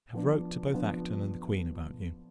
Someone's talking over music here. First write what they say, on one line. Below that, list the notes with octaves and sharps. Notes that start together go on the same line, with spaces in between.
I have wrote to both Acton and the Queen about you.
F3 B3 D4
F3 B3 D4